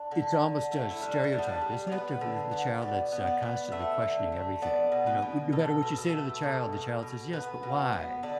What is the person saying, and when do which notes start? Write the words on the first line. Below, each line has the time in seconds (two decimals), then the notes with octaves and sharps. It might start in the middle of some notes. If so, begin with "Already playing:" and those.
it's almost a stereotype, isn't it, of the child that's, uh, constantly questioning everything? You know, would no matter what you say to the child, the child says, "Yes, but why?"
Already playing: D4
0.11 D3
0.42 D3
0.72 A3
0.91 E4
1.01 G3 D4
1.24 D4
1.32 G3
1.39 B3
1.46 D4
1.61 G3
1.87 D5
1.92 B3 B4
2.21 D3
2.51 B3
2.82 B2 D5
3.12 B3
3.27 D5
3.43 B3
3.72 A3 E5
4.02 D3
4.32 A3
4.62 B3 D5
4.92 B2
5.07 B4
5.22 B2
5.52 B2 A4
5.82 B2
5.98 A4
6.13 A3
6.43 B2
6.72 B2
7.03 B2
7.33 B3 B4
7.63 B2
7.93 B3
8.23 D3 D5